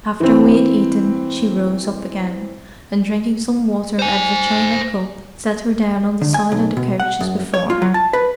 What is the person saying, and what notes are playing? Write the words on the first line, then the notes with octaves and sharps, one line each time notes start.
After we had eaten, she rose up again, and drinking some water out of a china cup, sat her down on the side of the couch as before.
E3 C4
C5 G#5
D3
G#5
B1
B2
F#5
F#2
C#5
F4
F#3
A5
B4